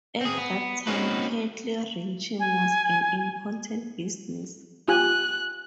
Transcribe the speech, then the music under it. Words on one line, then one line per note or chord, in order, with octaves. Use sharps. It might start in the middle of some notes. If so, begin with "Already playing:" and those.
At that time cattle ranching was an important business.
C4 G#4
B3
A#3 C4 C#4 D#4 F#4 B4
G#5
F4 G4 G#5 F#6